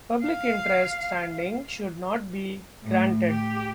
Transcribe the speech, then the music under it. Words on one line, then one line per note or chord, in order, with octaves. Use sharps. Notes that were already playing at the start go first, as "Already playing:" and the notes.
Public interest standing should not be granted.
F5
A2
G4